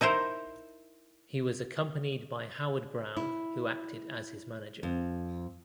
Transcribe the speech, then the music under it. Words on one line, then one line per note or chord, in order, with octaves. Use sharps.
He was accompanied by Howard Brown who acted as his manager.
D#4 E4 A#4 C5
E4
F2